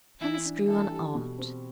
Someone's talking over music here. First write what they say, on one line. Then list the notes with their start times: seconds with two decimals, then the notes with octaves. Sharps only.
Hence grew an art.
0.21 E3 E4
0.45 D4
0.67 E3 A4
0.91 G3
1.15 B2
1.38 C4